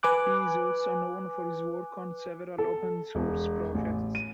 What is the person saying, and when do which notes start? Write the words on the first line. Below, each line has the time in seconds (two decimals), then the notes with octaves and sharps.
He is also known for his work on several open source projects.
0.03 B4 G#5 D6 F#6
2.58 A4
3.15 E1
3.74 A1
4.15 D#7